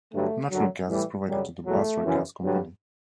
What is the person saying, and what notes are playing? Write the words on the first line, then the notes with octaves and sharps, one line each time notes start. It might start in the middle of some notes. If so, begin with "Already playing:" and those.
Natural gas is provided to the Basrah Gas Company.
G2 D3 F#3 A3
F#2 D3 F#3
A2 E3 G3
F#2 C#3 F#3 G3
E2 B2 F#3 A3
F#2 C#3 E3
G2 D3 F#3